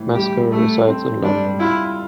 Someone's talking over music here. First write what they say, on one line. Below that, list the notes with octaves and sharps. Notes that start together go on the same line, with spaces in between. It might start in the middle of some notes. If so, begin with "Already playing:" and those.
Mescal resides in London.
Already playing: A2 E3
G3 G4
A3 A4
C4
G3 D4
E4 F4